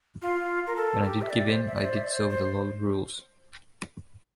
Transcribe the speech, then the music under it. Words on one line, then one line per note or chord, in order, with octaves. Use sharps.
When I did give in, I did so with a lot of rules.
F4
A#4
A4
G4
E5
D5
C5
E5
D5
C5
E5
D5
C5
C5